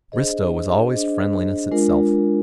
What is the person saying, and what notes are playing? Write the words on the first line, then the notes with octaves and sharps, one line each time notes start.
Bristow was always friendliness itself.
D4 G#4 C5 D#5
D4 G#4 C5 D#5
G#3 D4 F4 A#4